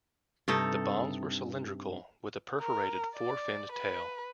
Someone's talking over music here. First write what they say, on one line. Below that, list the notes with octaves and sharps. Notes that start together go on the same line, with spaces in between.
The bombs were cylindrical with a perforated four-finned tail.
G2 C3 D#4 A4
A#4
D5
B4